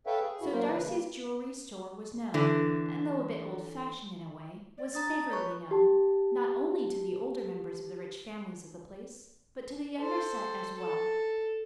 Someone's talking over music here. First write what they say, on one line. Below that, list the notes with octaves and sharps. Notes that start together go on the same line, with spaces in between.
So Darcy's jewelry store was known, and though a bit old-fashioned in a way, was favorably known, not only to the older members of the rich families of the place, but to the younger set as well.
A4 B4 C#5 E5 F5 G5
G#4
A2 E4 F#4
F#3 A#3 A#4 C5
C#3 E3 B4
G3 A#3
D3 E3
D5
D4 A#5 D#6 A6
A5
B4 C#5 B5 C#6
G4 A5
A4 C5
A4